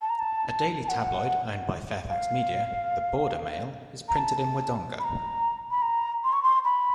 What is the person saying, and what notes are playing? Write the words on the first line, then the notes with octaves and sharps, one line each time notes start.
A daily tabloid owned by Fairfax Media, the "Border Mail", is printed in Wodonga.
A5
A#5
A5
A5
F#5
F5
A#5
A5
B5
A#5
B5
A#5
C6
C#6
C6
B5